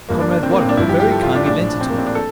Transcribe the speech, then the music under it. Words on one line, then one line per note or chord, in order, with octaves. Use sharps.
'Comrade Waller very kindly lent it to me.
G1 G2 F3 A#3
D4
D4
C4
A#3
C4
D4
G1 G2 F3 E4
G4
G4
A4
F4
D4
A#1 A2 F3 D4
C4
A#3
C4
D4
A4